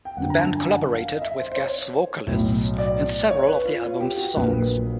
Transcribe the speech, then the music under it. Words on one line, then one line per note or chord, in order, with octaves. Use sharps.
The band collaborated with guest vocalists in several of the album's songs.
G5
G1 F#2 D3 F#5
A#5
A5
G#5
F#5
F5
D#5
E5
C5
C5
C#5
B1 A2 F#3
D5
C#5
B4
F4
F4
G4
F#4
A#1 A#2 F#3 B4
A#4
B4